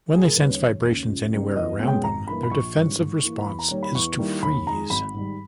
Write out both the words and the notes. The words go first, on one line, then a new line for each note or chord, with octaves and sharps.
When they sense vibrations anywhere around them, their defensive response is to freeze.
E1 G#4
A#4
D#2 C#3 G3 C#4 B4
C#5
E1
D#2 C#3
C#2
C#3 G3 A#3 D#4
E2 D#5
B2 G#3 C#4
G5
G#1 A#5
G2 E3 A#3 B5
B5
A#1 C#6
G#2 E3 G3 C#4
G#2
E3 A#3 E4
E2 B5
A#5
D#3 G3 A#3 C#5
B5
E2 C#6
D#3 G3 A#3 E4
D#2 B5
D#3 G#3 A#5
G#1 B5
G#2 D#3 G3